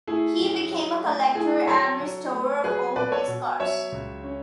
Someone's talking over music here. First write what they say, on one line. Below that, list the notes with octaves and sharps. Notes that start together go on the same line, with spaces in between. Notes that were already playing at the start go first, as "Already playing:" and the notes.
He became a collector and restorer of old race cars.
A3 E4 G#4
F#2
F#3
A3
A3 E4 G#4
F#3 A4 C#5
F#3
A3
F#3 G#4 B4
B2 B4 D5
A4 C#5
B2
F#3 C#5 E5
C#2
C#4